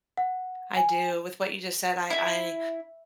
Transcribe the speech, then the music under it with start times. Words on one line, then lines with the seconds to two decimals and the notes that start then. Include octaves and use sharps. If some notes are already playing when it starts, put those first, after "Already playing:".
I do. With what you just said, I
0.17 F#5
0.76 G#5
2.10 E4